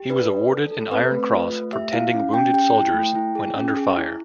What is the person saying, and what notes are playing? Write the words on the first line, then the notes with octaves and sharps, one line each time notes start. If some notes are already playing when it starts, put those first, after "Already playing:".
He was awarded an Iron Cross for tending wounded soldiers when under fire.
Already playing: G4
D4 B4
D4
A4
A4
C4 B4
A3
F4
A3
G4 E5
E4 F5
C#4
C#4 G5
G4 G5
E4
A3
E4
G#4
C#4
G#4
E4